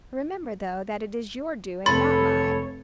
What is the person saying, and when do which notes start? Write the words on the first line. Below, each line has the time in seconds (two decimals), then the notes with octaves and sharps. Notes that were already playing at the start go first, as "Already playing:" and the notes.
Remember, though, that it is your doing, not mine.
1.86 F1 A4 C#5 B5 C6 A6